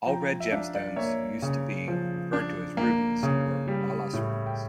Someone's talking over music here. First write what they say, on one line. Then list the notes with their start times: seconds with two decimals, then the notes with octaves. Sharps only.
All red gemstones used to be referred to as rubies or "balas rubies".
0.06 F3 G5 A#5
0.40 E5
0.52 D4 D5 F5
0.75 D5 F5
0.96 A#3 C#5 E5
1.42 C#3
1.88 F3
2.33 D4
2.77 A#3
3.23 C#3
3.68 G3
4.13 A2
4.46 G5